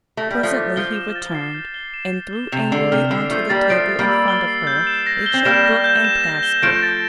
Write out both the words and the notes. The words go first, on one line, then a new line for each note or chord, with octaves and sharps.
Presently he returned, and threw angrily on to the table in front of her a cheque-book and pass-book.
A3 A#6
G3
F6
F3 A3
D6
F3 G7
E7
A6
C7
G6
G7
E7
C7
G7
C3 F7
D3 C7
C3 F6
D3 F7
F3 A3 C7
G3 A#3 A6
F3 A3 D7
A6
G3 A#3
E6
G7
C7
G6
E7
A#6
G7
C4
G3 A#3 E7
A#6
G6
E7
A#6
G7
F3 A3 D7
A6